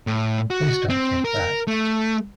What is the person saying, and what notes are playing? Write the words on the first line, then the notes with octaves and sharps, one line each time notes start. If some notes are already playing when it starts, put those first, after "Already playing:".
Please don't think that.
A2
F#4
C4
A#4
A3